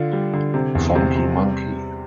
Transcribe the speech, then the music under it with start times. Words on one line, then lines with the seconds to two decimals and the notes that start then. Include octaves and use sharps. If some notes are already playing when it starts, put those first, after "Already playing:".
Funky monkey.
Already playing: D3 D4 F4
0.13 G3
0.34 D3
0.54 C3
0.75 E2
0.95 C3
1.15 C3
1.36 G3